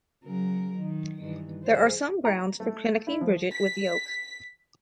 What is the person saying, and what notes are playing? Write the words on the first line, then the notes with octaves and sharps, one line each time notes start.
There are some grounds for connecting Bridget with the oak.
C#3 F#3 A#4
D#3
G2 D#3 E3
G#4 C5
A#5
A3
E4
F3
B6